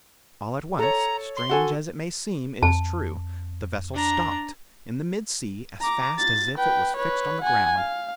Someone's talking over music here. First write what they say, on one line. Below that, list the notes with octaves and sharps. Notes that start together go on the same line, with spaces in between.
All at once--strange as it may seem, it is true,--the vessel stopped, in the mid sea, as fast as if it was fixed on the ground.
A4 C#5 A#5
C6
F#4 A4 G#5
F2 A5
D4 A#5
A#5 D6
A6
B4 G5
B4 C#5
F#5 G#5
F5